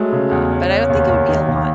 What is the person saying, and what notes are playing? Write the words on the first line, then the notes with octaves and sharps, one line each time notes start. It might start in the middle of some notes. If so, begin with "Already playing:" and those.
um, but, I don't think it would be a lot.
Already playing: F#3 G#3 A3
C#3
E2
C#4
C#4
D#2
D#2
D#3
D#2